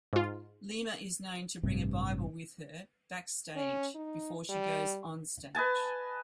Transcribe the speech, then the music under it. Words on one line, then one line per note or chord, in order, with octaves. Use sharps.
Lima is known to bring a Bible with her backstage before she goes onstage.
G#2 F4
A1 G2 C3
C#4
D#4
G3
B4 D#5 G#5 A5